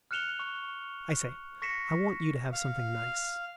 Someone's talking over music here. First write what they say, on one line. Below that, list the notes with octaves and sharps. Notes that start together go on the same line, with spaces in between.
I say, I want you to have something nice.
F6 F#6 C#7 E7 F7 G7
C#6
C#6 A#6 B6 C#7 E7
F5